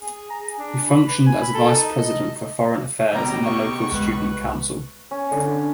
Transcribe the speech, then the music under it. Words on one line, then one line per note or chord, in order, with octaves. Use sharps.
He functioned as vice president for foreign affairs in the local student council.
G#4
A#5
G#4
D4
B5
B4
G#5
B5
A4
D#4
D#5
C#2 B2 G4 A#5
C#6
C2 G#3 B4
C#4
D3 D4